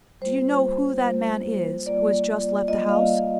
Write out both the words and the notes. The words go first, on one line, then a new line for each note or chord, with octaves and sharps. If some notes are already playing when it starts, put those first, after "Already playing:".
Do you know who that man is who has just left the house?
G3 A#3 F4 C5
G3 A#3 F4
G3 A#3 F4 D5
G3 A#3 F4 D#5
F5